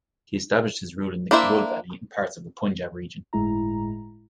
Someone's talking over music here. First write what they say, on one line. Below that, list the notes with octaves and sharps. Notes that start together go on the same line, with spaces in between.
He established his rule in the Kabul Valley and parts of the Punjab region.
A#3 D4 E4 C5 E5
G1 A2 G#3 E4 A#5